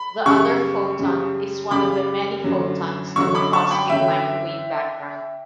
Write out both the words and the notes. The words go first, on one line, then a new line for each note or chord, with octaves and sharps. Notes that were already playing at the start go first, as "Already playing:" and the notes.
The other photon is one of the many photons of the cosmic microwave background.
Already playing: B5
F#2 C#3 G3 C#6 E6
F#2 C#3 G3
F#2 C#3 G3 B5 D6
F#2 D3 F#3
F#2 D3 F#3 C#6 E6
B5 D6
A5 C#6
G5 B5
F#2 D3 F#3 E5 G5